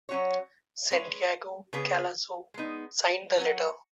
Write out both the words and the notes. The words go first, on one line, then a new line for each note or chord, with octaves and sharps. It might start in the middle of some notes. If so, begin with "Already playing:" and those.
Santiago Collazo signed the letter.
F#3 C#4 F#4 C#5
G#3 C#4 B4
C#3 B3 G#4 B4
G#3 B3 D#4
F#3 C#4 F#4